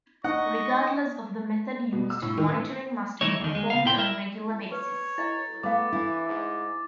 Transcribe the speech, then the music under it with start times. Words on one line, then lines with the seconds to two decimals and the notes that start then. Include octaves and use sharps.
Regardless of the method used, monitoring must be performed on a regular basis.
0.24 D#4 D#5 F#5 C#6
1.93 B2
2.10 E6
2.22 A2
2.38 D#3
2.50 A1
3.21 E3 A3 D#4 E4 C#5
3.40 E2 D#3
3.55 G#3
3.70 C#3 F5
3.85 A#2 E4 A4 G5 B5 C6
3.97 E4 A#4 E5
4.72 B4 C#5
5.18 E4 D#5 A#5 A6
5.63 A3 B3 C#5 F5 D6
5.92 E3 E4
6.28 G#2